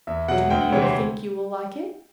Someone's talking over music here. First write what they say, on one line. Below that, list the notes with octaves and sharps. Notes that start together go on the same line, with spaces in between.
"Do you think you will like it?"
E2 E5
B2 F#3 F#5
D2 G5
F#5
C3 E3 C#5
C5